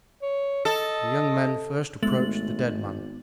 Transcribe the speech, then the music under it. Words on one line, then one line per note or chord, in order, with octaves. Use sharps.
The young men first approached the dead man.
C#5
A4 D#5
G#1 G#3 A3 B3 A6 F#7